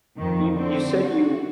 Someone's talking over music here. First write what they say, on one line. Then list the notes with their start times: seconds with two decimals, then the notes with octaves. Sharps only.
You you said you
0.19 F2 D#3
0.53 D3 C4
1.03 F#4